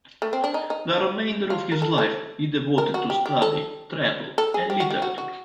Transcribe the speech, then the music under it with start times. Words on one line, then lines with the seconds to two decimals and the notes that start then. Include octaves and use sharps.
The remainder of his life he devoted to study, travel and literature.
0.22 A3
0.33 C4
0.44 D4
0.54 D#4
0.70 D#4
1.50 F4
1.72 A#4
1.82 A4
1.98 A4
2.78 A#4
2.94 F#4
3.10 G4
3.26 G4
3.42 A4
4.38 A4
4.54 G#4
4.70 G4
4.80 F#4
4.90 G4
5.02 F#4
5.18 F#4